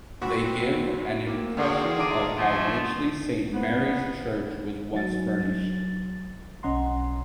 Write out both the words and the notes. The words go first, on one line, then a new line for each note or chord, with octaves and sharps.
They give an impression of how richly Saint Mary's church was once furnished.
A#2 C4 F#4 B5
B4
A#3 C4
D3 F#4 G#4 F5 G5
D4 F4 A#5 D6 D7 D#7
F3 A3 F4 C5 D#5 G#5
B3 C4 C5
F#3 A6
B1 C#4 D#5 F#5 A#5 C6